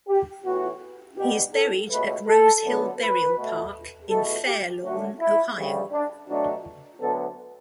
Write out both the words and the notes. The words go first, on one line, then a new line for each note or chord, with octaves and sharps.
He is buried at Rose Hill Burial Park in Fairlawn, Ohio.
G4
A2 E3 B3 F#4
B2 G3 B3 G4
A4
C#2 B2 A3 B4
A4
F#2 D3 F#3 B3
B4
B2 A3
E2 B2 A3 A4
G4
F#2 D3 A3 F#4
E4
D2 C#3 G3
D4
B2 F#3 A3 D4
D2 D3 F#3 B3 A4